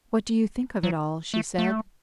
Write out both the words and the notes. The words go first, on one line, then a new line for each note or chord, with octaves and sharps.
"What do you think of it all?" she said.
F#3
A3
A3